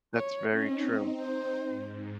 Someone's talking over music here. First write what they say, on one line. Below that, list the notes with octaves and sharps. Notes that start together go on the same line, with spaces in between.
That's very true.
C#5
C4 C#4 D#4
C5
G#2